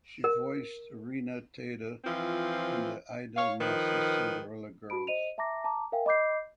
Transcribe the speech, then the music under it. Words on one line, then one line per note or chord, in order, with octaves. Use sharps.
She voiced Riina Tada in "The Idolmaster Cinderella Girls".
A#4
E3 F3 C4 F4
C#5 F5
D#3 F3 B4
F#4 A5 B5 D7
C5 D#5 D#7 F7
E5 A5 A#5 D6 A#6
A5 A#5 D6
A#4 E5 F5 G5 G#5
D#5 B5 D6 G6 C7